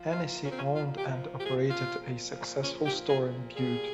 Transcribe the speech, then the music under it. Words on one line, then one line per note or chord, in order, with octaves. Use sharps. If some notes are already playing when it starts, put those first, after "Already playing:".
Hennessy owned and operated a successful store in Butte.
Already playing: F3
A#2 F4
F3 C#4
C4
C#4
A#2 F4
G4
F3
A#2 G4
G#4
F3 F4
A#2
F3
A#2 C#4
G4
F3
G#4
A#2
G3 G#4